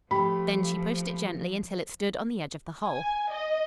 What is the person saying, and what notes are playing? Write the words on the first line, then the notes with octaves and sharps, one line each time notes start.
Then she pushed it gently until it stood on the edge of the hole.
F3 A3 G4 B5
G#5
D#5